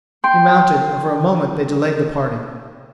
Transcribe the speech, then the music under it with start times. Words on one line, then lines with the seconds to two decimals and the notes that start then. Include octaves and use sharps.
He mounted and for a moment they delayed the parting.
0.24 G5 C6